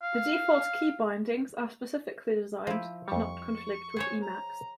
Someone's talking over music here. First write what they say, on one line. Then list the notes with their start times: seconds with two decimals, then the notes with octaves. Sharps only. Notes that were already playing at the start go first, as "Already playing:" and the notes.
The default keybindings are specifically designed to not conflict with Emacs.
0.03 F5
2.67 F3 E4 C5
3.08 F2 G3 C#6
3.96 G#4 C5 C#5
4.22 A#5